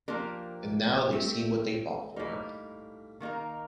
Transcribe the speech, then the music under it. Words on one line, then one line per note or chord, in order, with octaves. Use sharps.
And now they see what they fought for.
F3 A#3 D4 G4 A#4
A3 C4 G4
A2 G3 A#3 D#4
D#3 A#3 D#4 A#4